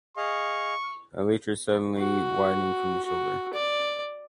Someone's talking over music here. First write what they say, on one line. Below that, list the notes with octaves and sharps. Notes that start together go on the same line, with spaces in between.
Elytra suddenly widening from the shoulder.
G#4 D#5 F5 C#6
F#4
F#4
D5